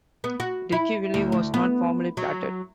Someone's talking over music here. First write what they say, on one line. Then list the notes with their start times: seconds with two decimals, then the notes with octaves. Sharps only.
Dickeyville was not formally platted.
0.24 B3
0.40 F#4
0.72 E4
1.14 D2
1.32 D2
1.54 B3
2.17 F#3